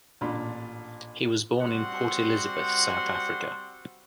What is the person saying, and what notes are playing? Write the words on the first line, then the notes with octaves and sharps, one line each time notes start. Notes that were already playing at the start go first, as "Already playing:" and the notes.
He was born in Port Elizabeth, South Africa.
A1 A#2 D4 B5
G3 C4 F#4 F#5 C6